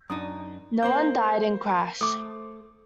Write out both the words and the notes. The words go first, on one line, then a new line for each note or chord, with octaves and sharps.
No one died in crash.
F#2 D4 D#4 D#6
A#3 C4 C5 G6
A3 D6 D#6